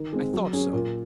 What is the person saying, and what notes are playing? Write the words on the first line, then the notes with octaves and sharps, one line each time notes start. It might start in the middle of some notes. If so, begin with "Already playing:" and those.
I thought so.
Already playing: D#3
G#3 C4
F#3
C#4 G#4
A#2